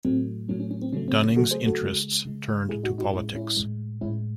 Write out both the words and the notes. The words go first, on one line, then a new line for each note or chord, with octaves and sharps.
Dunning's interests turned to politics.
A2 F#3 A3 C4
A2 F#3 A3 C#4
C#4
C#4
C4
C#3 F#3 A3 C#4
C4
C#4
C#3 F#3 A3 F#4 A4
G#4 C5
F#4 A4
C#3 G#3
C#3 G#3
A2 G#3 E4 G#4
D#4 F#4
D#4 F#4
A2 G#3 C#4 E4
C#4 E4
A2 G#3
A2 G#3 C#4 E4